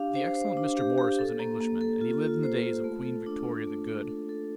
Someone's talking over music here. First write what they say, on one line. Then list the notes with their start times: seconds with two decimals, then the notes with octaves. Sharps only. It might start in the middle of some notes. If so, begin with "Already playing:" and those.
The excellent Mr. Morris was an Englishman, and he lived in the days of Queen Victoria the Good.
Already playing: D4 G4 F5
0.15 C5
0.35 C5
0.57 D4
0.77 G4
0.98 G4
1.19 A4
1.39 A#3
1.60 A#3
1.81 A4
2.01 F4
2.22 F4
2.43 C5
2.63 F4
2.84 A3
3.05 A4
3.26 D4
3.47 A3
3.67 A3
3.87 A4
4.09 A4
4.29 A4